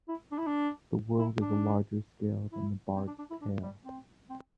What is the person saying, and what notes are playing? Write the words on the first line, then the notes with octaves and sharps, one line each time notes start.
The world is a larger scale than "The Bard's Tale".
E4
D4
E4
D4
E4
D4
E4
C4
D4
D4
E4
D4
G3
C4
C4